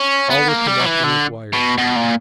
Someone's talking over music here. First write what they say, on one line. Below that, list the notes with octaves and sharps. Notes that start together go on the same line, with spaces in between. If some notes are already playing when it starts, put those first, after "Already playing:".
All were connected with wires.
Already playing: C#4
B3
A#3
G3
F#3
E3
D3
B2
B2
A#2